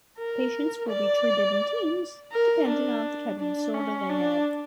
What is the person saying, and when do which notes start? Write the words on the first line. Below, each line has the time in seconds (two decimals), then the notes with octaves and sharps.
Patients will be treated in teams, depending on the type of disorder they have.
0.18 A#4
0.88 D5
2.32 A#4
2.67 D4
3.39 D4
3.74 C#4
4.09 D4